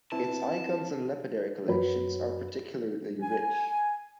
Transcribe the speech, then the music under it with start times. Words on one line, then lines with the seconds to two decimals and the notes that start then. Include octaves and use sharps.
Its icons and lapidary collections are particularly rich.
0.12 C4 E4 B4 A5
1.68 F#2 F#3 B4 B5
3.21 G#5